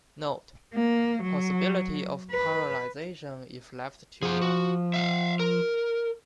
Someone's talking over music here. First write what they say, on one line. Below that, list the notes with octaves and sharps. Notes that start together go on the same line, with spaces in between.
Note: Possibility of paralyzation if left too long.
A#3
F#3
B4
F3 G#4 F#5
F#4
E5 F5
A#4